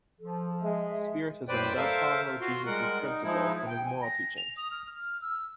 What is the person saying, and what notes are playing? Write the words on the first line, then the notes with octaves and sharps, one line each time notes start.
Spiritism does follow Jesus's principal and his moral teachings.
F3 A4
G#3 E5
F#2 A2 B4 C5 D5 G5
A4 A#4 C5 E5 F5
F4 F#4 C6
G3 G#3 A#4 F#5
D#4
F3 G#3 D#4 E4
G5
G#5
A#6
F7
D#6
F6
F6
E6